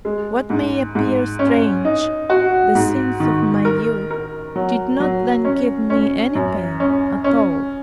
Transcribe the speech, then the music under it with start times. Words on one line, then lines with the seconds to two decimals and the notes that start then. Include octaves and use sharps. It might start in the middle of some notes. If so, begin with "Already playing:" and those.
What may appear strange, the sins of my youth did not then give me any pain at all.
0.05 G#3
0.50 G#2
0.95 G#2
1.39 C#4
1.85 D#4
2.30 F#4
2.75 G#2
3.20 D#3
3.65 A#4
4.10 A#4
4.55 F#3
5.00 F#3
5.45 C#4
5.90 C#4
6.35 F#2
6.80 C#4
7.24 C#4